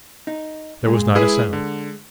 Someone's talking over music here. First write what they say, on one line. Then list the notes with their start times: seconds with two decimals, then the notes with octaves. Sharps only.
There was not a sound.
0.27 D#4
0.85 A#2 G#3
1.15 G#3 E4 G#4 B4
1.53 D3